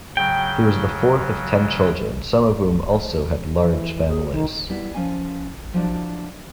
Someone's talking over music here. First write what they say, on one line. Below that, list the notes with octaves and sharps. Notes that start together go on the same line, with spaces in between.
He was the fourth of ten children, some of whom also had large families.
C#3 F#3 G5
E3
G#4
D#3
G3 B3 E4
F3 C#4 F5 G#5
F3 F#3 D4 E4